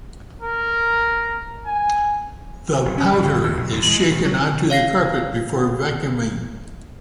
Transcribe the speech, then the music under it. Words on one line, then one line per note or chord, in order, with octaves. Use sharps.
The powder is shaken onto the carpet before vacuuming.
A#4
G#5
F#1
C#4
G#2
G1
E2
B1
D#2
G#3
A#1
F#3
C#5 F5 A#6 C7